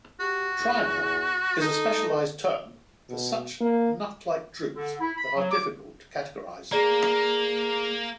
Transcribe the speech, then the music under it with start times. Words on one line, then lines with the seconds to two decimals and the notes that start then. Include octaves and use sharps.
Tryma is a specialized term for such nut-like drupes that are difficult to categorize.
0.20 F#4 G4
0.59 E2
1.61 D#4 A4
3.10 B2
3.61 A#3
4.76 D3
5.01 E4
5.16 B5
5.35 F#3
5.51 D6
6.72 A#3 G#4 D5 A#5